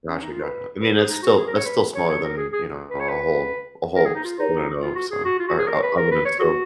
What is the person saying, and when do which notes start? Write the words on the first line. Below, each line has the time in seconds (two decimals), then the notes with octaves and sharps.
Gotcha, gotcha. I mean, that's still that's still smaller than, you know, a whole a whole s I don't know, so or o oven and stove.
0.08 C#4
0.22 D#4
0.32 F4
0.42 B4
0.80 B4
0.93 G#4
1.08 D#4
1.22 F#4
1.37 G#4
1.47 A#4
1.56 C#5
1.66 B4
1.95 C#5
2.09 C#5
2.23 A#4
2.37 G#4
2.52 G#4
2.90 B4
3.00 C#5
3.09 B4
3.96 A#4
4.05 G#4
4.15 D#4
4.24 F4
4.38 D#4
4.82 F4
4.95 F#4
5.11 G#4
5.25 F#4
5.39 F4
5.48 F#4
5.59 G#4
5.67 A#4
5.82 B4
5.97 A#4
6.11 B4
6.25 C#5
6.39 F#4